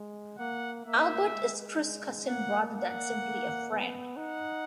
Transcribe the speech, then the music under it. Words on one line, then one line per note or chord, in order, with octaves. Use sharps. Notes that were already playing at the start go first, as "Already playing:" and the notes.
Albert is Chris's cousin rather than simply a friend.
Already playing: G#3
A#3 F#5
A#3 E5
G#3
A#3 F#5
F#5
B3
D#4 F#5